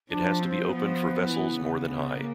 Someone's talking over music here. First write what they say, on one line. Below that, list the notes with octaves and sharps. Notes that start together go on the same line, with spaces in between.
It has to be opened for vessels more than high.
F3 D4
C4
F3 B3
E3
C#3
B3
A#3